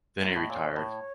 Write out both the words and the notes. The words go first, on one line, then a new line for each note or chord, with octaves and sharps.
Then he retired.
F#2
A2
D#5
A#2 C#5
A2